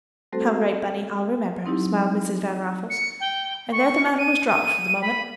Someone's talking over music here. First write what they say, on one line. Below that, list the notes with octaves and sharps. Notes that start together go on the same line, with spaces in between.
"All right, Bunny, I'll remember," smiled Mrs. Van Raffles, and there the matter was dropped for the moment.
G3 A3 C4 F#4 A4 C5
F#3 C4 D#4 E4 G4
C#7
G5
C#6
D#7
D#7
B5